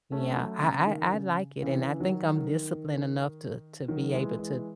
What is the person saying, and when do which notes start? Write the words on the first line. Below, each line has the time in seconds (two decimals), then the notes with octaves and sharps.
yeah, I I I like it, and I think I'm disciplined enough to to be able to,
0.12 A3 C#4
0.36 F#3 A3
0.61 C#3
0.87 D#3
1.12 C#3
1.62 C#3 E3
2.00 D#3 F#3
2.37 D#3
3.88 D#3 F#3
4.14 E3 G#3
4.39 E3 G#3